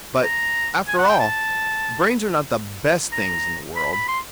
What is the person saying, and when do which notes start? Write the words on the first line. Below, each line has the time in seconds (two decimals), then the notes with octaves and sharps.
"But, after all, brains are not the best things in the world."
0.23 A#5
0.88 G#5
0.98 F#5
1.09 G5
1.20 A5
3.12 A#5
3.76 B5
3.92 B5
4.08 C6